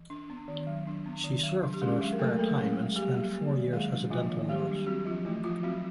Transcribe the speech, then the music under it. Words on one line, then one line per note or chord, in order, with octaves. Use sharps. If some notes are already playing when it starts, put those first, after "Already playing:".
She surfed in her spare time, and spent four years as a dental nurse.
Already playing: E3
D4
B3
D#3
F#3
D4
B3
D#3
F#3
D4
G4
G#3 C#4 G#4
F#3 G#3 G#4
A#4
A3 A#3 A4
F#3 A3 A4
G#3 C#4 G#4
F#3
G3 A#3 G4
F#3
A#3
D#3
F#3 G#3 G#4
D4
F3 A#3 F4
D#3
F#3 G3 G4
D4
G4
F#3 C4 F#4
F3 F4
E3 A3 E4
F3 F4
F#3 C4 F#4